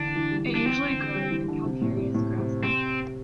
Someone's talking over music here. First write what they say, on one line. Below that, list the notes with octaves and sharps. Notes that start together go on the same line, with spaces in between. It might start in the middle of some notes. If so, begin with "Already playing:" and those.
It usually grows in calcareous grassland.
Already playing: D3 E3 D4
E3
G3
G3
D4
E3 C4
D3
G3
E3
D3
C3
A2
C3
A2
C3
C3 C4